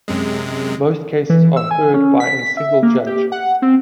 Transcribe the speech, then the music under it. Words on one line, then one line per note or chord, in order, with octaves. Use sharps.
Most cases are heard by a single judge.
F#2 C3 G#3
E3
E6
G#5
C#4
B6
E5
A#3
G4
F#5
C4